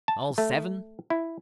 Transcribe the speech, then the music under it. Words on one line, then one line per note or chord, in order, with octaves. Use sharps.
"All seven?"
A5
A3
E4